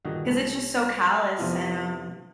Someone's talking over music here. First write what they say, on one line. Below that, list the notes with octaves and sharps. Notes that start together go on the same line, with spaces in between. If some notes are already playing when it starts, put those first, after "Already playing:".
'cause it's just so callous and, um,
G2 A#2 D3 D#3 F#4 D#5
C2
F2 C3 B3 D4 E4 F4